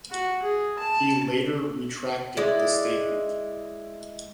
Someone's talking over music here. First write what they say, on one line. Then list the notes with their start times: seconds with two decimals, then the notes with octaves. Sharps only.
He later retracted the statement.
0.11 F#4
0.43 G#4
0.79 A5
2.37 G#3 E4 D5